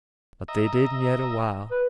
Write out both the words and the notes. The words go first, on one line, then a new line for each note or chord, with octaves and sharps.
But they didn't yet a while.
D#5 E5 A#5
B4